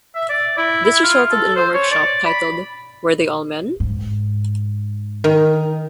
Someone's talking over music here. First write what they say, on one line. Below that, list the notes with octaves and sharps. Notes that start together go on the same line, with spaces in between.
This resulted in a workshop titled Were they all men?
E5
D5
E4
E4
F4
A4
C5
C#5
D5
B5
G#2
D#3